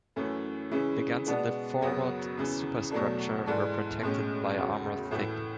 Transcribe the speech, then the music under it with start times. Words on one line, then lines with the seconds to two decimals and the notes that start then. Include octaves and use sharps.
The guns in the forward superstructure were protected by armour thick.
0.16 F#2 E3 A3 C#4
0.71 C#3 E3 G#3 C#4 E4
1.26 B2 G#3 B3 D4
1.81 F#2 C#3 F#3 B3 F#4
2.37 E2 C#3 E3
2.91 E2 B2 F#3 A3 D4
3.46 G#2 E3 G#3 D4 A4
4.02 B1 A2 G#3 C#4
4.57 E1 D2 C#3
5.11 A2 E3 A3 E4